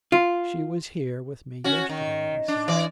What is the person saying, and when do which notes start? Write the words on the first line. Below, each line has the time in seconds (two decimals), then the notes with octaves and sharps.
'She was here with me yesterday,' he said.
0.12 F4
1.64 C#4 F#4
1.89 D#3
2.48 D4
2.68 E3 D5